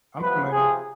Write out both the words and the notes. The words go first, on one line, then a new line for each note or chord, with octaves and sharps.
I'm familiar.
C3 F3 B3 B4
C3 F3 C4 G#4